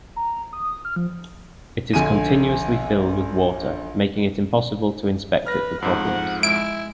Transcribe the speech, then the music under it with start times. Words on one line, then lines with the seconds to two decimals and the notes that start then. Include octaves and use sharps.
It is continuously filled with water, making it impossible to inspect it for problems.
0.16 A#5
0.53 D#6
0.85 F6
0.96 F3
1.94 A#1 D3 G#5 D#7
5.47 B4 F6 A#6
5.82 F2 G#2 F3 F#5
6.43 G#3 E4 D7